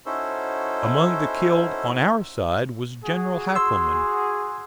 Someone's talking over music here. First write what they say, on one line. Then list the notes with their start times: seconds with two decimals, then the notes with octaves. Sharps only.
Among the killed on our side was General Hackelman.
0.06 C#4 D#4 E4 F#4 A4 C5
3.04 F#4 G#4
3.56 C6 E6